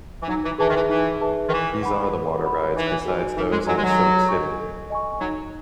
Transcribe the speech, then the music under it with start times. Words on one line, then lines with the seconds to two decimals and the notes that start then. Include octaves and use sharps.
These are the water rides besides those in the Soak City.
0.21 E3
0.28 F#3 D#4
0.43 E3
0.58 E3 G#4 B4 E5 A5
0.68 D#3
0.74 E3
0.89 E3 D#4
1.21 G#4 B4 E5 A5
1.47 D#3
1.51 E3 B4
1.83 F#5 B5
2.12 B4
2.44 F#5 B5
2.75 E3 D#4
3.05 F#4 A4 D#5 G#5
3.36 E3 D#4
3.51 G#3
3.67 F#3 F#4 A4 D#5 G#5
3.77 G#3
3.83 F#3
3.97 A4
4.29 D#5 G#5 C#6
4.60 A4
4.90 D#5 G#5 C#6
5.21 F#3 D#4